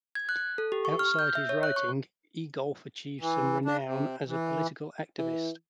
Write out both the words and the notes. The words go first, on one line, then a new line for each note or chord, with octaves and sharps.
Outside his writing, Egolf achieved some renown as a political activist.
G#6
F#6
A4
G4
C#6
F6
G6
E5
C#5
F#6
C#6
E3
D4
C3
E3
E3